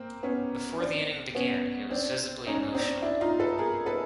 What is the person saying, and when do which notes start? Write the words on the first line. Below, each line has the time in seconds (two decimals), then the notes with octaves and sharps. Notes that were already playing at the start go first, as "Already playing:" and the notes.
Before the inning began, he was visibly emotional.
Already playing: A#3 C4
0.23 B3 C#4
0.79 C4 D4
1.35 B3 C#4
1.91 C4 D4
2.47 C#4 D#4
2.74 C4 D4
3.02 D4 E4
3.21 D#4 F4
3.40 A4 B4
3.58 G#4 A#4
3.86 A4 B4